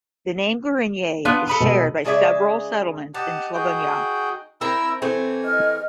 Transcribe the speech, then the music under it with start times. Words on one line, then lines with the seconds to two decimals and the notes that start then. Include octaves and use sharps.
The name "Gorenje" is shared by several settlements in Slovenia.
1.25 B3 D4 F4 F#6
1.48 A4 B5 D#6
1.61 B2 G#3
2.04 C#3 G#3 G#4 D5 E5
3.14 D#4 G4 F#5 A5
3.54 F#4 G#4 G5
4.61 C4 E4 A#4 E5 E6
5.02 E3 A3 C4 G#5
5.45 D#5 F6